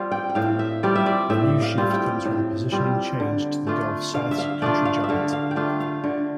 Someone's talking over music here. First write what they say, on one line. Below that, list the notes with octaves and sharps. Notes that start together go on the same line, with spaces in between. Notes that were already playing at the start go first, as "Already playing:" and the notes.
The new shift comes with a positioning change to "The Gulf South's Country Giant".
Already playing: G3 C4 F4 F5
G5
G5
A2 F5
E5
G3 C4 F4 D5
E5
D5
A2 E5
F5
G3 C4 F4
G5
A2
G3 C4 F4
D3
A3 D4 F4
D3 F5
E5
F5
A3 D4 F4 D5
F5
E5
D3 F5
F5
G5
A3 D4 F4 F5
F5
D3